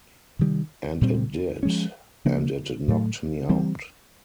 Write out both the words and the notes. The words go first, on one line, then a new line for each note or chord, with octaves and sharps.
And it did, and it knocked me out.
C3 D#3 G3
A#2 G3 C4
F3 G#3 C#4
C#3 F3 A#3 D4
A2 F#3 A3
E3 G3 C4